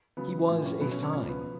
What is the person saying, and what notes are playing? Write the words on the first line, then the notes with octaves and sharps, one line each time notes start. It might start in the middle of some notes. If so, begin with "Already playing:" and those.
He was a Sign.
C#3 F#3 B3
A2 F3
C#4
B2 F#3 B3
C#4
C#4
C#3 F3 C#4
B3